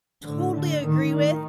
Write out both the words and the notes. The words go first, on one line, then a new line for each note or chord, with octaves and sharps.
totally agree with,
A2 D3
D3
A2 D#3
D#3